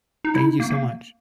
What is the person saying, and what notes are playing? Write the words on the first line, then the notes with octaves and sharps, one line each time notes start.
Thank you so much.
D#4
E4
D#4
A#3
A#3